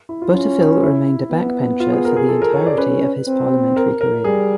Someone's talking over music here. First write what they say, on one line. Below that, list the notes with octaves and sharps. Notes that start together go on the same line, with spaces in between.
Butterfill remained a backbencher for the entirety of his parliamentary career.
E4
F4
C#4 F4
E4
B3
F4
G#4
A#4
G#4
A4
A#4
C#5
D5
C#4 B4
C4
A#4
A#4
G3 G#4